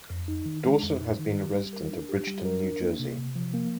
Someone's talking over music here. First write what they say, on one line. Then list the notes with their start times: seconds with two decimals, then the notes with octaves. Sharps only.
Dawson has been a resident of Bridgeton, New Jersey.
0.10 F2
0.28 D#4
0.46 D#3
0.64 G#3
0.83 F2
1.00 D#4
1.19 D#3
1.37 G4
1.55 G3
1.73 A#4
1.91 D4
2.09 G4
2.27 G3
2.45 A#4
2.63 D4
2.81 A#3
2.99 C3
3.18 C3
3.36 F3
3.54 A#3